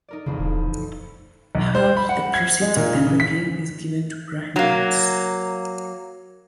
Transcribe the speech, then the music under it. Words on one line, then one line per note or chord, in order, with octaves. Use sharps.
Half the proceeds of their begging is given to Brahmans.
D#4 A#4 D5
A1 F2 C#3 C4
D#1
B1
C5
B5
F#5
G#6
G#3
A#2
C#3
C#3
B6
F#3 A#3